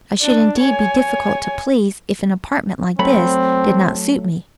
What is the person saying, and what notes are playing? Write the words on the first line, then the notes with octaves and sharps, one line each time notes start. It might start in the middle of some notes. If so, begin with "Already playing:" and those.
I should indeed be difficult to please if an apartment like this did not suit me.
D4
C#5 G#5
F#3 A3 C4 B5